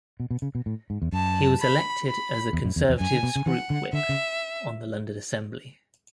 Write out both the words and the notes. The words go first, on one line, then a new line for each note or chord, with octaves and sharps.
He was elected as the Conservative's Group Whip on the London Assembly.
B2
B2
C#3
B2
A2
G#2
E2
F#2 A5
B5
B5
E2
F#2
E2
E2
F#2 G#5
D3
B2
C#3
E3 F#5
D3
D3 E5
C#3